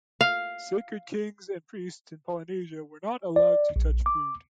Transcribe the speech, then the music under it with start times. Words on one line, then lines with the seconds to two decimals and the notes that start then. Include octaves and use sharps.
Sacred kings and priests in Polynesia were not allowed to touch food.
0.21 F5
3.36 D5
3.76 A#1
4.06 D6